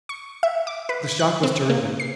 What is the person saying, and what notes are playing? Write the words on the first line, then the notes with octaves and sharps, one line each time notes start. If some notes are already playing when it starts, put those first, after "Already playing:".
The shock was terrific.
C#6
E5
D6
B4
F#6
C4
A#3
C7